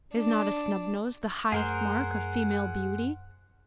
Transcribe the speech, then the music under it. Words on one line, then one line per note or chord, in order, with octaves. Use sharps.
"Is not a snubnose the highest mark of female beauty?"
D4
F#2 A3 G#4 A#4 C5 F#5